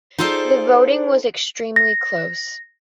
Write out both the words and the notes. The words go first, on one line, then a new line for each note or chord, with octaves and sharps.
The voting was extremely close.
D#4 F4 G#4 A4 C5 D5
A#6